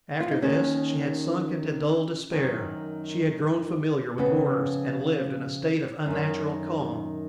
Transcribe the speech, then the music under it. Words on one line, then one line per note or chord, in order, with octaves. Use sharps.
After this she had sunk into dull despair; she had grown familiar with horrors and lived in a state of unnatural calm.
F4
D#4
D#2 D#3 C#4
F#2 D#3
F2 C#3 B3
F#2 D#3